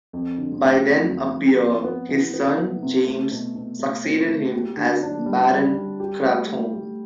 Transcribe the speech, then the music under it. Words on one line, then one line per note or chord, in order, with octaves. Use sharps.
By then a peer, his son James succeeded him as Baron Crathorne.
F2
D3
A3
F2
F2
F2
B3
B3
E3
B3
B3
C3
A3
B2
B2
A3
C4
A3
G4
D3
D4
G3
G3
G3
G4
A3
A3
G4